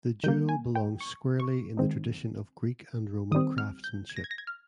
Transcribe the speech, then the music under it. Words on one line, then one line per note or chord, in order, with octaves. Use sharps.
The jewel belongs squarely in the tradition of Greek and Roman craftsmanship.
D#3 G3 A#3 G6
G#5
G5
C#6
C#6
D#3 G#3 C4 D#4
D#3 G3 C4 D#6
F6
G6
G#6
A#6
G#6
A#6
G#6
F6